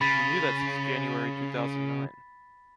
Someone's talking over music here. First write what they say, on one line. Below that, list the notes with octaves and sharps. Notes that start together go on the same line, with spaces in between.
You knew that since January two thousand nine.
C#3 B5 A6 B6